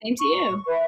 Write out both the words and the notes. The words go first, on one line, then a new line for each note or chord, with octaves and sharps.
Same to you.
C#6
B4 E5